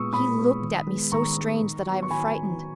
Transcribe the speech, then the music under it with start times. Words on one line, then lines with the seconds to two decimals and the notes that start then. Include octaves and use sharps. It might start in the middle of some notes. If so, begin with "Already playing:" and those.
He looked at me so strange that I am frightened.
Already playing: A#2 G#3 B3 C#6 D#6 E6
0.13 A#2 B5 D#6
0.38 G#3 B3
0.62 D#3
0.87 G#3 B3
1.12 D#3 A#5 C#6
1.37 G#3 B3
1.61 D#3
1.86 F#3 B3
2.03 C#6
2.11 D#3 G#5 B5